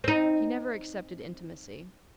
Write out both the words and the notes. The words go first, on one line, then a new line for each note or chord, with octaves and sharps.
He never accepted intimacy.
C4 D#4